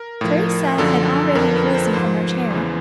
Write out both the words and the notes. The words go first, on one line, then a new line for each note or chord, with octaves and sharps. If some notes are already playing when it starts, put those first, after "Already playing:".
Teresa had already arisen from her chair.
Already playing: A#4
A2 F3
F#2 D3 F3 A4
F2 D3 F3 A#4
B4
C5
G#2 F3 C5
E2 C#3 E3